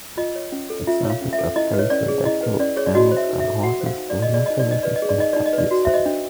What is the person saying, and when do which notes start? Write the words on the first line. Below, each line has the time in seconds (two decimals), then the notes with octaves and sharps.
Examples of perissodactyl mammals are horses, rhinoceroses and tapirs.
0.17 F4 D#5
0.36 C#5
0.52 C#4
0.70 A4
0.87 F4 E5
1.05 C#5
1.10 F5
1.22 C#4
1.33 E5
1.39 A4
1.56 E4 D#5
1.74 B4
1.79 C#5
1.90 C#4 D5
2.08 G#4
2.25 E4 D#5
2.43 B4
2.59 C#4 D5
2.76 G#4 C#5
2.86 D5
2.95 F#4 D#5
3.12 C5
3.17 E5
3.29 D#4
3.40 E5
3.47 A4
3.63 F#4 F#5
3.81 C5
3.86 F5
3.97 D#4
4.10 A4 D5
4.22 D#5
4.32 G#4 D5
4.46 D#4 D#5
4.60 D5
4.67 D#4 D#5
4.83 B4 D5
4.96 D#5
5.02 G#4
5.09 D5
5.18 D#4 D#5
5.33 D#4 D5
5.46 D#5
5.53 B4
5.58 D5
5.71 F#4
5.85 C5 E5
5.94 D#5
6.06 D4